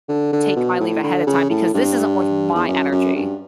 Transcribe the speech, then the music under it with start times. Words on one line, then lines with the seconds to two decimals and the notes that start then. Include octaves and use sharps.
take my leave ahead of time because this isn't worth my energy."
0.09 D3
0.33 D3
0.56 B2
0.80 A2
1.03 D3
1.27 C#3
1.50 A2
1.74 G2
2.55 E2
2.68 F#2
2.92 F#2
3.15 G2